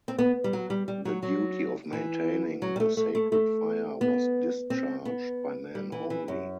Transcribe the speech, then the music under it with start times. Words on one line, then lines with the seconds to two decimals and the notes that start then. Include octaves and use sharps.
The duty of maintaining the sacred fire was discharged by men only.
0.08 C4
0.18 B3
0.44 G3
0.53 F#3
0.70 G3
0.88 G3
1.05 F#3
1.23 F#3
1.93 E3
2.62 F#3
2.76 G3
2.80 A3
2.97 A3
3.15 A3
3.32 A3
4.01 B3
4.70 C4
5.05 B3
5.75 G3
5.92 E3
6.10 E3
6.28 F#2